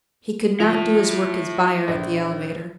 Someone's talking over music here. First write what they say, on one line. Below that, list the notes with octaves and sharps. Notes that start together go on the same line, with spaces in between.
He could not do his work as buyer at the elevator.
F3 E4 A4 F7
A#1